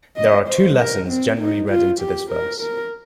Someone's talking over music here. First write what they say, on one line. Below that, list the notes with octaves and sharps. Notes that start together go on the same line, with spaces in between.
There are two lessons generally read into this verse.
D#5
C5
A#4
C4
D#4
F4
G4
A#4
A#4